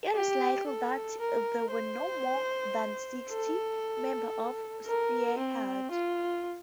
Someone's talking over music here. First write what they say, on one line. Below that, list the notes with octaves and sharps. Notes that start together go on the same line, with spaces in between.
It is likely that there were no more than sixty members of Spearhead.
G4
A4
A#4
C5
A4
A#4
C4
F4